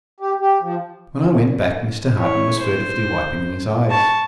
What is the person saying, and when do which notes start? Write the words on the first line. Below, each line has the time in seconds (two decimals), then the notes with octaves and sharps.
When I went back, Mr. Harton was furtively wiping his eyes.
0.20 G4
0.40 G4
0.61 F3
2.14 E4 C#5
2.59 C5
3.91 A5 C#6